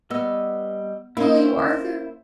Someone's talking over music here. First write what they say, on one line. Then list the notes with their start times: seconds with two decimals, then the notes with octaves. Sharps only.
Will you, Arthur?
0.10 G3 B3 D#5 E6
1.17 A#3 C#4 E4 C5